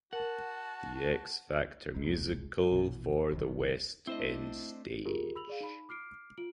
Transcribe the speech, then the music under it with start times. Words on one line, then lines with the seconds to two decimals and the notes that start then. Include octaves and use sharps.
The X Factor Musical for the West End stage.
0.13 F#4 A#4 F#5 A5
1.95 E1 C2 G#3
2.72 A#1 B2 D3 E3
3.32 E1 B1 A#2 D#3
4.07 A3 C4 D4 E4 C5 D#5
5.05 F4 G4 G#4 A#4
5.35 B5 E6 F7 F#7
5.47 G#4 D5 F5
5.61 D#4 B5
5.89 D6 F6 C7 D7
6.38 F4 D7 F#7